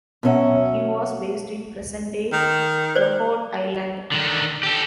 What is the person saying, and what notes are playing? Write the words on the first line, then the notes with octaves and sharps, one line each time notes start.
He was based in present-day Rhode Island.
B2 F#3 C#4 E5 F#5
D#3
C5 D5
D3 D#3
G4 A4